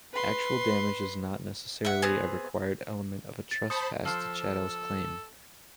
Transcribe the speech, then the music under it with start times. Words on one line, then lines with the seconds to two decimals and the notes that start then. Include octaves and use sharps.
Actual damage is not necessarily a required element of a trespass to chattels claim.
0.14 B4 C6
1.85 E5 F#5
2.02 B3 C4 G#4
3.51 A6
3.70 C5 A5 B5 D#6 C#7
4.05 F3 A4 C5